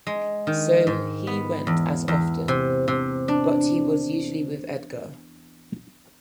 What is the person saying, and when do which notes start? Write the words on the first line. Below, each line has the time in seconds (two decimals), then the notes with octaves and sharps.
So he went as often, but he was usually with Edgar.
0.07 G#3
0.47 D#3
0.87 G#2
1.27 B3
1.67 E2
2.08 E2
2.48 C3
2.88 C3
3.28 D4